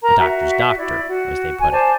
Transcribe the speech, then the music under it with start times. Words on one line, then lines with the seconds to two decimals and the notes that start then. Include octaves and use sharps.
A doctor's doctor, as they put it.
0.02 A#4 A#5
0.20 F#4 E5
0.77 E4 D5
1.08 F#4
1.59 G#5
1.71 C5 D5 G#5 A5